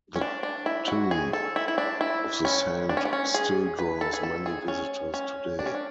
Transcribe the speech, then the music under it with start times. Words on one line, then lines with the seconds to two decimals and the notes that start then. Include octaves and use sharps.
The tomb of the saint still draws many visitors today.
0.16 C#4
0.21 D4
0.43 D4
0.66 E4
0.88 F#4
1.11 G#4
1.33 A4
1.56 E4
1.68 E4
1.78 D4
2.01 E4
2.45 C#4
2.89 D4
2.97 C#4
3.05 B3
3.13 C#4
3.34 G#4
3.79 B4
4.01 A4
4.13 G#4
4.23 A4
4.46 G#4
4.68 C#4
5.14 C#4
5.59 D4
5.66 C#4
5.75 D4